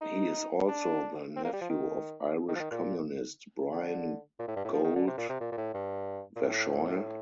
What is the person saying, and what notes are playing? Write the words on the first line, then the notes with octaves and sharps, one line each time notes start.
He is also the nephew of Irish communist Brian Goold-Verschoyle.
D#4
D4
C4
A#3
G3
F3
D#3
D#3
F3
D#3
A#2
D3
A#2
A2
G2
A2
F3
D#3
D3
C3
A#2
C3
A#2
A#2
A2
G2
A#2
A2